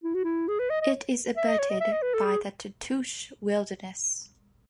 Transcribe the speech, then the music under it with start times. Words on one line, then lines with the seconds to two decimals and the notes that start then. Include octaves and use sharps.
It is abutted by the Tatoosh Wilderness.
0.04 E4
0.15 F#4
0.24 E4
0.48 G#4
0.59 B4
0.70 D#5
0.81 D#5
1.37 E5
1.48 D#5
1.59 C#5
1.70 D#5
1.80 E5
1.92 D#5
2.02 B4
2.14 A4
2.25 G#4